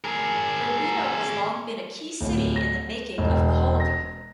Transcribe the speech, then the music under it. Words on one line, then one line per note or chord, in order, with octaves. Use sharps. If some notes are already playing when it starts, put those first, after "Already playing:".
Urbino has long been a key city in the making of majolica.
G#4 A#4
D1
A#6
E1
A#6